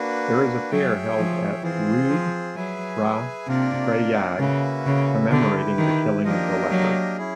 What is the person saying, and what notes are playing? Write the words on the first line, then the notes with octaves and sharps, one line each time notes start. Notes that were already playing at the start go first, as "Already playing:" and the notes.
There is a fair held at Rudraprayag commemorating the killing of the leopard.
Already playing: A#3 D4 F#4 B4
F#3 G#4 C#5 E5 G5
F3
E3 C4 F4 G#4 C5
F3
F#3 G#4 B4 E5 G#5
C3 A#3 D4 F4 A#4 D5
C#3 A#3 C#4 F#4 B4 E5
C#3
D3 E4 G4 B4
D#3
F3 A#3 D4 G4 A#4 D#5
F#3
C#4 E4 G#4